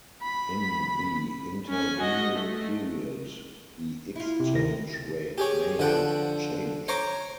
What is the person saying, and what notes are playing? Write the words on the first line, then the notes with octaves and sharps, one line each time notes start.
In the intervening period the exchange rate may have changed.
B5
C#4 G#5
F#4 D#5
A3
E4 F4
C3
D2 D#3 A#6
G4 G#4 C#5
D3 F3 F#5 G5
C5 C#5 A#5 D6